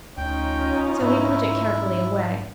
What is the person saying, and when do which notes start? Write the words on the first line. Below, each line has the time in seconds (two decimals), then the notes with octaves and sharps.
So he put it carefully away.
0.17 D2 C#4 D#4 F4 G5
1.01 G#2 E4